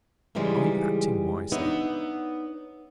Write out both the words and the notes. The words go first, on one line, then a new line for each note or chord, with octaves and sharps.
'Are you acting wisely?
G#2 C#3 E3 G3 G#3
B3 D4 D#4 C#5 E5